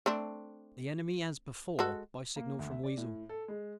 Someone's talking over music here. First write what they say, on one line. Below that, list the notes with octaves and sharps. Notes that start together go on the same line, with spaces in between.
The Enemy as before, by signal from Weazle.
A3 C4 D4
G#3 F#4 A4
A#3
D2
E5
D5
A2
A4
G#3